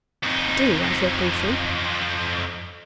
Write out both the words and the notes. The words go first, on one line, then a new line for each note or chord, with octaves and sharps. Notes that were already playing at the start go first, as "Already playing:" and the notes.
"Do," I said briefly.
F2 D#4